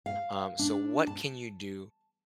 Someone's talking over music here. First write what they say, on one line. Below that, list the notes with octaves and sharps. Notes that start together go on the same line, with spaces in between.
um, so what can you do
F5
D4
A5